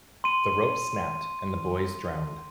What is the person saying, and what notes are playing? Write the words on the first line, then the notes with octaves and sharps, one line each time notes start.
The rope snapped, and the boys drowned.
C6 D#7